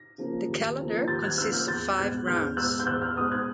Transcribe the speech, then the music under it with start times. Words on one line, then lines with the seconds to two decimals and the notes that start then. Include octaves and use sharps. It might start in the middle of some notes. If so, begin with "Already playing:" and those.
The calendar consists of five rounds.
Already playing: A#6
0.18 C#3 F3 A#3
0.49 D#2
0.78 C#3 F3 A#3
1.08 D#2 G6 A6
1.23 F#6 G#6
1.37 C#3 F3 A#3 E6 F#6
1.53 F6 G6
1.68 E2 G6 A6
1.97 B2 G#3 F#6 G#6
2.27 E2 F6 G6
2.57 B2 G#3 E6 F#6
2.80 G6
2.87 E2 E6 F#6
3.02 F6 G6
3.17 B2 G#3 D#6 F6
3.32 F#6 G#6